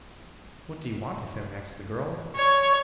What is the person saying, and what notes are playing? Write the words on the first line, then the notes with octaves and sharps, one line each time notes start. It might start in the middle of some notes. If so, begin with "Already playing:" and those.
"What do you want of him?" asked the girl.
C#5